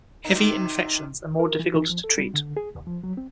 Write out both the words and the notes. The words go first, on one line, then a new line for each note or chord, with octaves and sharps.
Heavy infections are more difficult to treat.
C3 D#3 D#4
A#4
E3
E3
F3
A4
G3
D3
G#4
D#2
F3
F#3
C4